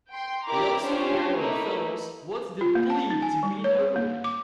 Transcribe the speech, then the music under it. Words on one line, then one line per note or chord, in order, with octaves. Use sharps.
He also appeared in the films What the Bleep Do We Know!?
G5 C6
E4 G4 A#4 D5 A#5 D6
C#4 D4 F4 G4 C5 C#5
A3 A#3 D#4 E4 B4
F4
A#3
A5
D#4
G#5
G3
C#5
G#4
A#3
D6